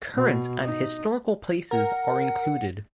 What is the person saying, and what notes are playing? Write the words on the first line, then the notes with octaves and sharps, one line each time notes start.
Current and historical places are included.
B2
D#4
A#4 F#5